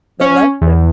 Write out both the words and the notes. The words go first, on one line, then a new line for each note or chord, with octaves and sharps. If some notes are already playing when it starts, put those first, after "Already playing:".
the lesson.
C#4
E2